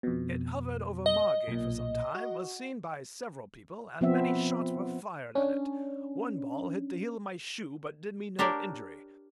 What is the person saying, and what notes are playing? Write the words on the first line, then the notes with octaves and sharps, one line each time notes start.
It hovered over Margate for some time, was seen by several people, and many shots were fired at it; one ball hit the heel of my shoe, but did me no injury.
F2 B2
D#5
B1 A#2
F#4
F3 B3 C4 E5
C#4 D4
D4 G4 A#4 C#5 D5